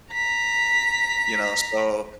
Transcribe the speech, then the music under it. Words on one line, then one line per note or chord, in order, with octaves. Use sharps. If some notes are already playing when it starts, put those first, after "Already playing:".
you know, so,
A#5 B6